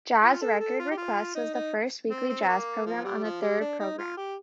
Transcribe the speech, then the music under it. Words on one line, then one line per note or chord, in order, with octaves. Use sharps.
"Jazz Record Requests" was the first weekly jazz programme on the Third Programme.
F4
A4
A4
F4
G4
F4
D#4
D#4
C4
C4
C4
A#3
F3
G3
F3
G3
D4
D#4
F4
G4